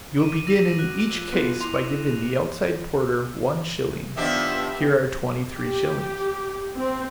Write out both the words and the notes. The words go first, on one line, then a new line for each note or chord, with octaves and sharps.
"You will begin in each case by giving the outside porter one shilling. Here are twenty-three shillings."
D6 D7 D#7
D#4 E6 A#6 D#7
F#4 F#6
F3
F3 B3 F4
E4 C6 D6 F7
D#3 F3 B3 D4 G4 E5
G4
C4